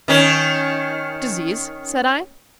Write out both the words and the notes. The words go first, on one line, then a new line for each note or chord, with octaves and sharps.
"Disease?" said I.
D#3 C#4